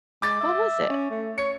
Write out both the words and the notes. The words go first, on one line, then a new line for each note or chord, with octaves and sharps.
What was it?
G#3 D6 A6
E5
C#4
A3
C#5 C#7